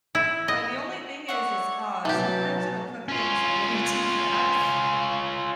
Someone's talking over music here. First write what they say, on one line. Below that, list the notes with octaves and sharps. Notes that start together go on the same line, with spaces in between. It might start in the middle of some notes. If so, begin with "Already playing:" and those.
Uh, the only thing is is, uh, sometimes it'll cook things way too fast.
E4
D#5
C#5 D5 E5 F#5
B2 E3 F#3 C#4 G4 A5
C#4 F4